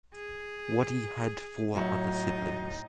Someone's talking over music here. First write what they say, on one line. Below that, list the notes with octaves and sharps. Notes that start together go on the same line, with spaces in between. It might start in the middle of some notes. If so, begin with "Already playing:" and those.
Waddy had four other siblings.
G#4
A2 F#3 D#4 F4 E5